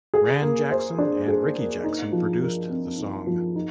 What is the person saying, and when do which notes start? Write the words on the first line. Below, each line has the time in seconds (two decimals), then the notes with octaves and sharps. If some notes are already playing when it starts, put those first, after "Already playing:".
Ran Jackson and Ricky Jackson produced the song.
0.14 G#4
0.42 A#3
0.71 C5
0.98 D4
1.28 G#4
1.56 A#3
1.84 D#4
2.12 F3
2.41 A#4
2.69 C4
2.98 D#4
3.27 F3
3.56 D#4